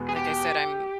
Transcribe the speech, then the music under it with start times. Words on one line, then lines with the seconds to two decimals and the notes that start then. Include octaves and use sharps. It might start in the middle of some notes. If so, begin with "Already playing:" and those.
like I said, I'm
Already playing: E2 B2 G#3 B3
0.09 G#4
0.16 G4